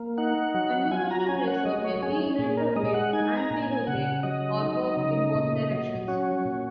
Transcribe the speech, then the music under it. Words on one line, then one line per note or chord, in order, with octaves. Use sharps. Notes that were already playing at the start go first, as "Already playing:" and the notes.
A neuronal tracer may be retrograde, anterograde, or work in both directions.
Already playing: A#3
D#4 F#5
F#3 F#5
F#3 G#5
A#5
C#4 G#5
F#5
F#3 D#5
C#5
C#4 G#4
A#2 G#4
A#4
G#3 D#5
F#5
D#4 G#5
A#5
A#2
G#5
C#3 F#5
F#3 D#5
D#4
C#3
A#2
F#3
C#4 F#4
A#2